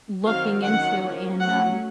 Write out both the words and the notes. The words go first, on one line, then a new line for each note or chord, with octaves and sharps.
looking into and, um
D#3 F#3 C4 F5
D#3 F#3 A#3 C#4 F#5
F3 A#3 C#4
F#3 A3 C#4 F#5